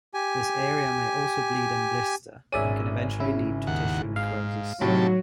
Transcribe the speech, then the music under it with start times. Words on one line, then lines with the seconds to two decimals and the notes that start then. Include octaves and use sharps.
This area may also bleed and blister and can eventually lead to tissue necrosis.
0.14 G4 G#5
2.52 G#1 C#4 G#4 D5 E5 D#7
3.20 C#3 E4
3.67 D#2 F#5
4.16 G#2 F5
4.81 A2 C3 D#3 F#3 G4 A5